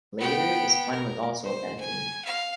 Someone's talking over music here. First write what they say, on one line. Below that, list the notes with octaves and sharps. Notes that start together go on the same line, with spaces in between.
Later this plan was also abandoned.
B3 G5
A#4
C5
G#5
F5